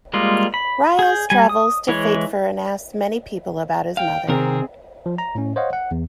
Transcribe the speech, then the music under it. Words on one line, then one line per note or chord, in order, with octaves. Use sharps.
Riyaz travels to Fatehpur and asks many people about his mother.
G3 G#3 A#3 F4
B5
G#4 G6
G3 G#5
D#6
E3 G#3 E4 C#5
F5 G5
C3 D#3 C4 G#4 A#4
F3
A#5
A2 C#4
C5 C#5 D#5 F5 F#5
F#5
E2